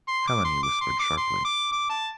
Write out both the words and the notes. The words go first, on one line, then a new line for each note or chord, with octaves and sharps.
Helene whispered sharply.
C6
D6
C6
D6
C6
D6
C6
D6
D6
A5